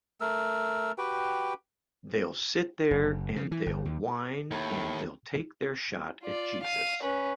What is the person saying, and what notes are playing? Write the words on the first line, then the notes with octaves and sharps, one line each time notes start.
They'll sit there and they'll whine and they'll take their shot at Jesus.
A3 A#4 E6
F#4 G4 B4 G5
F#1
C#3
E3
G1
D#2
D#2 A2
F4 D5
F5 D#7
C#4 B4